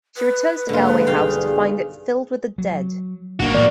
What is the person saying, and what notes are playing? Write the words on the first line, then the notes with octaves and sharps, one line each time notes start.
She returns to Galweigh House to find it filled with the dead.
B4
G#2 D3 G#3 A#3 F4
B1 G2 G#4 F5 G5
F#3
G#1 A#3 D4 F#4
A2 F3 C4 D5